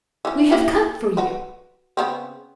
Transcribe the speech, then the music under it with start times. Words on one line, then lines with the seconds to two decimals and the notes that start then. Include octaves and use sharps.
"We have come for you."
0.25 E3 C#4
0.51 A#3 E4 G4
1.17 F#4 B4
1.97 C#3 B3 C4